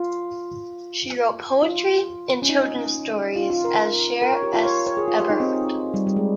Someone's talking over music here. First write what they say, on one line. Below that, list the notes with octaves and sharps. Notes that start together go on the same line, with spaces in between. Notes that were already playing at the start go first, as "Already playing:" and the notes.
She wrote poetry and children's stories as Sheri S. Eberhart.
Already playing: F4
F4
C#4
D#4
F4
F4
A#4
A#4
C#5
G4
F4
C#5
C#5
G#4
F4
G4
D#4
C4
G3
G3
G#3